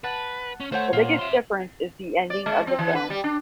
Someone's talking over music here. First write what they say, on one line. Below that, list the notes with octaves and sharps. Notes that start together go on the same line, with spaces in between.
The biggest difference is the ending of the film.
B4 F#5 A5
C#4
A3 C5 C#5 F#5 G6
A#2 F4
E5 C6
D5
G#3
C4
E3
B4
G3
D4